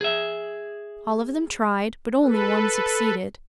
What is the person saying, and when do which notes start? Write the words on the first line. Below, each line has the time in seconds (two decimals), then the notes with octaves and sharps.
All of them tried, but only one succeeded.
0.01 G#4 E5
2.24 A4 B4